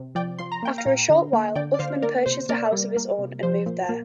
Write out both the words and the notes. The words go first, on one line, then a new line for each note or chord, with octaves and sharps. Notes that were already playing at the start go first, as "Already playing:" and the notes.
After a short while, Uthman purchased a house of his own and moved there.
Already playing: C3
F3 D5 G5
F3 C6
A#5
A#3 G5
F5 A#5
A#2
D3
A#3
D3 D5 G5
D5
D3 C5 F5
A#3 A#4 D5
C3 C5
A#3 A#4 D5
G3
A#3
C3
F3 C5
A#2
A#3